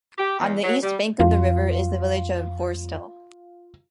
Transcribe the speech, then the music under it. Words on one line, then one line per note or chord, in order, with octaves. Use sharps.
On the east bank of the River is the village of Borstal.
G4
E2
F#3
G3
F2 F4